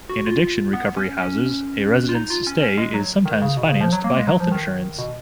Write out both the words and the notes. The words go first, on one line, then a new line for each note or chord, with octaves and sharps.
In addiction-recovery houses, a resident's stay is sometimes financed by health insurance.
F#4
F4
B3
C#4
C#4
F4
D#4
F4
C#4
C#4
G#3
F#3
D#3
C#3
B2
C#3
F3
F#3
A#3
G#3
F#3
F3
D#3
B2